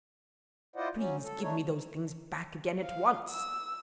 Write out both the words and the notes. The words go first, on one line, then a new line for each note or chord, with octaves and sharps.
"Please give me those things back again at once!"
E4 F4 C5 D5 D#5 F#5
F#3 C#4
A4
A3 D4 D#4 C#5
C#3
F5
E6